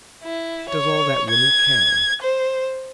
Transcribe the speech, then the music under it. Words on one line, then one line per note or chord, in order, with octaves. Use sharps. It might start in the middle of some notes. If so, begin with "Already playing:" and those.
She does all that woman can.
E4
C#5
G#6
C5